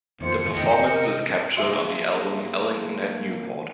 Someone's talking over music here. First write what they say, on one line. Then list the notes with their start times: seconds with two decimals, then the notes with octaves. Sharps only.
The performance is captured on the album "Ellington at Newport".
0.21 F2 D#3 A#3 C5 C#7
0.56 F2 D#3 A#3 C5 D#5 G5
0.88 C3 A#4
1.57 F#3 A#3 G#4 E5 C6